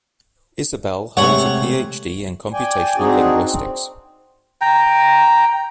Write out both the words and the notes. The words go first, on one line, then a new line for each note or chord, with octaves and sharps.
Isabelle holds a Ph.D. in Computational Linguistics.
C3 G#3 A3 C#5 F#5
D5 G5 G#5
C4 D4 D#4 F#4 G#4
C4
G5 A#5